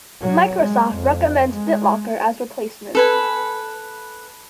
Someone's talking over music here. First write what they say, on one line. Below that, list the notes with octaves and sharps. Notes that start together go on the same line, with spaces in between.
Microsoft recommends BitLocker as replacement.
F#3
G#3
F2
G#3
A4 B4 G#5